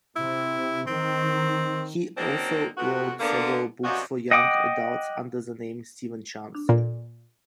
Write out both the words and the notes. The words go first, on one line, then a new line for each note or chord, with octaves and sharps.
He also wrote several books for young adults under the name Stephen Chance.
C3 E4
D#3 C4
F#3 A#3 C4 D4 D#4
F2 B2 B3 F#4
D3 A#3 B3
F#2 C3 F3 F#4 D5 D#5
D#5 F#5 G5 D6 D#6
A#2